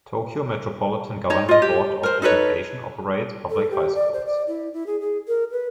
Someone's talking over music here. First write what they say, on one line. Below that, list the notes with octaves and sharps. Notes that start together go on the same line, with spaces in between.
Tokyo Metropolitan Government Board of Education operates public high schools.
D#4 C#5
F4 D#5
G4
A#4 C5
D#4 A4 B4 C#5
A4
G4
D5
C5
D5
E4
E4
G#4
G#4
A#4
B4